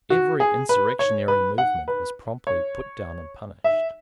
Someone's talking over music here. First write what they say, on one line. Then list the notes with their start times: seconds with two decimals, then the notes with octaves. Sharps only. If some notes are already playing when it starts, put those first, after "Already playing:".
Every insurrectionary movement was promptly put down and punished.
0.10 F#4
0.40 G#4
0.69 B4
0.99 C#5
1.28 B4
1.58 F#5
1.88 B4
2.47 C#5
3.64 E5